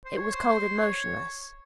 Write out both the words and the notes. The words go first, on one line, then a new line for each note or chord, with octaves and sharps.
It was cold and motionless.
C5
C#5
C5
C#5